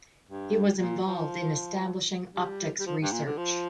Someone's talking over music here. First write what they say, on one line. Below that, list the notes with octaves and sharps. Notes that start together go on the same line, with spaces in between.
He was involved in establishing optics research.
G2
A#2
F3
G3
G3
F3
G2
A#2
D3
F3